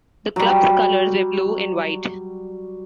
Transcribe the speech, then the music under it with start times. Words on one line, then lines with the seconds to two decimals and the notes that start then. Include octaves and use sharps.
The club's colors were blue and white.
0.36 F#3 G3